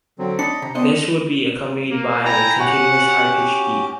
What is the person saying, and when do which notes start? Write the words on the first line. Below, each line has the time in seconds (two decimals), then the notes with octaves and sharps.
This would be accompanied by a continuous high pitched beep.
0.19 D3 F#3 C4
0.39 D4 D#5 A5 B5 C#7
0.62 C3 A#5
0.75 B3 D4 G4 C5 D#5
1.91 A#3
2.25 E4 G5 G#5 A#5
2.59 C#4 F#4 G4 F#5